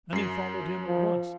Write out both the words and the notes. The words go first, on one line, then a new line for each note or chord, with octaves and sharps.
Many followed him at once.
F#2 C7
F3